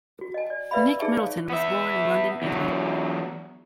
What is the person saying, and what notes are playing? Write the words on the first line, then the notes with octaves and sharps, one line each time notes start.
Nick Middleton was born in London, England.
F#4
D#5 G#5
D5
A#4 B4 D5 E5 F5 B5
D#4 G#4 D5 E5 G#5 C#6
C#5 F5
B3 E5
E2 F#3